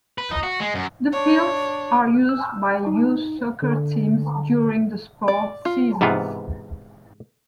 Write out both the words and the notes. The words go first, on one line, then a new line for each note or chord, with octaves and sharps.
The fields are used by youth soccer teams during the sport seasons.
B4
D#4
F#4
G#3
F#2
D4 C#5
E6
D#4
D3
D5
F4
G#2 C3 E3 B3 F4